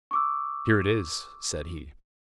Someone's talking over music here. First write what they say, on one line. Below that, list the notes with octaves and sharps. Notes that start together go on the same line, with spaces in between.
"Here it is," said he.
C#6 D6 E6